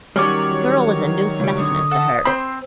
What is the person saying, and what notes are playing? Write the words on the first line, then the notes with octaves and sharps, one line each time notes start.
The girl was a new specimen to her.
D#3 F#3 G3 C#4 C#5 D5
C#2 G3
D3 D#5
A4 F#5
C4 C5 B5 C7